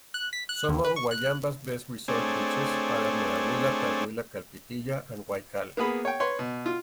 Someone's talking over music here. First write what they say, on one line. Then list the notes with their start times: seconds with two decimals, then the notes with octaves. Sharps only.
Some of Wayamba's best resort beaches are at Marawila, Talwila, Kalpitiya and Waikkal.
0.14 F#6
0.33 B6
0.49 F#6
0.69 D#2
0.85 B4
0.96 C#6
1.11 F#6
2.08 A3 C4 D4 G#4 C#5
5.77 A#3 B3 G#4 B5
6.05 C#5 G5
6.20 B4 C#5 C6
6.39 B2
6.66 F4